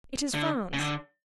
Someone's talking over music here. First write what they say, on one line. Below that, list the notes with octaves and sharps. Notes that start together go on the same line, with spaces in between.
It is France.
D3
C#3
D3